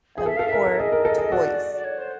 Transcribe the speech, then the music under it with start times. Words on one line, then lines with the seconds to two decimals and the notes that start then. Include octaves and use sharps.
um, or toys
0.18 G#4
0.26 A4 E5
0.37 A4 F5
0.47 A#4 E5
0.66 A4
0.79 G#4 D#5
0.92 A#4
1.05 A4
1.18 G#4
1.32 F#4 D5
1.76 D5
1.84 C#5
1.98 C5